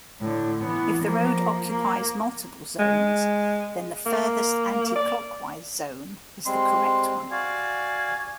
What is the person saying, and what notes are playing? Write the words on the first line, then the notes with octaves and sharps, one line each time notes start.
If the road occupies multiple zones, then the furthest-anticlockwise zone is the correct one.
A2 D3
E3 B3
F3 A#3
A#3
G#3
A#3
D5
G3 G#3 C4 C6
F#4 D5 F5 G#5